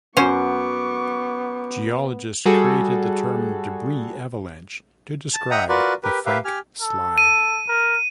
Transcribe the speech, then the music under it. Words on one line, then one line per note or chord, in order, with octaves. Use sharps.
Geologists created the term "debris avalanche" to describe the Frank Slide.
F#2 B3 C#4 C5 C#6 D6
G3 F#4 G#4 A4
A5
D#5 E5 F#5 G5 A#5 D#6
F4 F#4 A#4 B4 D5
G4 A#4 B4
G4 A#4 B4 E5 F5
G4 G#5 F6
A4
D#7
A#4